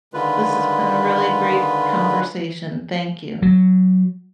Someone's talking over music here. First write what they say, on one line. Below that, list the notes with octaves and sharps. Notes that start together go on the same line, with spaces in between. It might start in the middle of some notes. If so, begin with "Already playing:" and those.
This's been a really great conversation, thank you.
D3 D#3 G#3 F4 B4
F#3